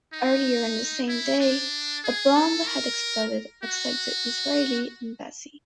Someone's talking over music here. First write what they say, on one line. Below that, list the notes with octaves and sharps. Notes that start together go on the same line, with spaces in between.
Earlier on the same day, a bomb had exploded outside the Israeli embassy.
D#4
E4
D4
G#4
A4
A#4
F#4